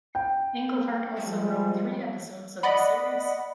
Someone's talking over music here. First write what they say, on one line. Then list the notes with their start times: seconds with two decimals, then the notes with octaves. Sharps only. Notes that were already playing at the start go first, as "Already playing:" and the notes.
Englehart also wrote three episodes of the series.
0.15 G5
1.25 F3 G3 G#3
2.63 D5 D#5 F#5 B5